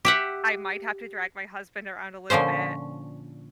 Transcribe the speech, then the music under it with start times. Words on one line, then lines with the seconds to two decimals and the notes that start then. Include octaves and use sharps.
I might have to drag my husband around a little bit
0.05 G4 E5 F#5
2.30 A#2 D3 F3 C#4 C5